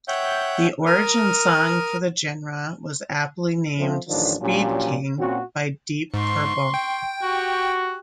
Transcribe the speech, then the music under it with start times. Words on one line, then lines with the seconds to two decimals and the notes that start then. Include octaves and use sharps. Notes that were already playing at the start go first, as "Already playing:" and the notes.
The origin song for the genre was aptly named "Speed King" by Deep Purple.
0.08 C#5 E5 F#5 G5 G6
0.86 A#4 D#6 F6
3.78 F3 A3 C4
4.07 A1 D3 D#3 F3 D4
4.40 A#2 F3 F#3 C#4 D4 G4
5.18 A#2 C4 C#4 F#4
6.14 G#2 C6 C#6
6.74 G5
7.23 F#4 G4 C#6